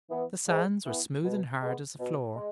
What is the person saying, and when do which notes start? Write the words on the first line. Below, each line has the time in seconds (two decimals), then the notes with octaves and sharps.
The sands were smooth and hard as a floor.
0.10 E3 B3
0.47 G#2
0.86 E3 B3
1.24 B2
1.61 G#3 B3
1.99 B2
2.36 G#3